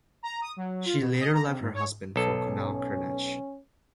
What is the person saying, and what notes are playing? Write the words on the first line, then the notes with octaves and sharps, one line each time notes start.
She later left her husband for Conall Cernach.
A#5
D#6
F#3
F4
B2
D#5
A#5
C3
G#2
C#5
B1 A4
C#4